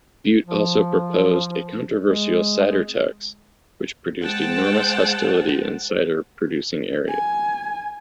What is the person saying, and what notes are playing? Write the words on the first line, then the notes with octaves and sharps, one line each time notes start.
Bute also proposed a controversial Cider tax which produced enormous hostility in cider-producing areas.
F3
G#3
G#3 C5 F#5 G5 A5
G#5